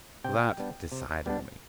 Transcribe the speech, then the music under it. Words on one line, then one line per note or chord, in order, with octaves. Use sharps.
That decided me.
C3 G5
G3 B3 D4
C3
G3 B3 D4